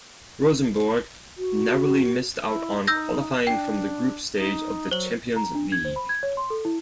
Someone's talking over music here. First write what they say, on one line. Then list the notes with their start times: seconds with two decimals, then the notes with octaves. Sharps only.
Rosenborg narrowly missed out on qualifying from the group stage of the Champions League.
1.37 F#4
2.45 E4
2.87 D#4 E6 G6 A#6
3.47 D4 G5
4.36 D#4
4.91 F#3 C5 F#7
5.36 A#5
5.55 D4
5.72 G#6
5.85 C5
5.96 B5
6.09 G#6
6.23 C#5
6.37 C6
6.50 A4
6.65 E4